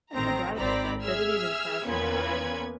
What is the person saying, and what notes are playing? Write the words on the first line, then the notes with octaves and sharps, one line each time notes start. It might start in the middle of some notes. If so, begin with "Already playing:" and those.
I forgot about that, that didn't even cross my mind,
A1 D#3 C4 A#5
G#1 C4 D5 A#5 B5
G#4 E5 E6 F6 G#6
E2 A#2 B3 C#4 B4 G#6